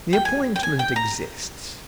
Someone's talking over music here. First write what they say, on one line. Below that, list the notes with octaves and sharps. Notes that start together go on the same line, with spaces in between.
The appointment exists.
G5
G#5
G5
G#5
G5
A#5